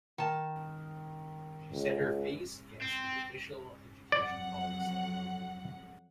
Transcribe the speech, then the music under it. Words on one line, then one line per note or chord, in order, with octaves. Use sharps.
She set her face against the official education policy.
D#3 A5
C#2
C4
F2 F#3 D5 F#5